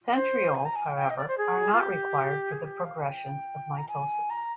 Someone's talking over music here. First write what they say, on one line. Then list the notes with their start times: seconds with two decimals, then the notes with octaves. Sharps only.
Centrioles however, are not required for the progression of mitosis.
0.14 C5
0.55 G#5
0.66 A#5
0.76 G#5
0.86 G5
0.97 G5
1.10 D#5
1.17 D5
1.28 C5
1.38 G#4
1.73 F4
1.80 G4
2.52 G#4
2.63 G4
2.84 F5
2.99 G#5
3.05 G5
3.78 A#5
3.88 G#5
4.30 A#5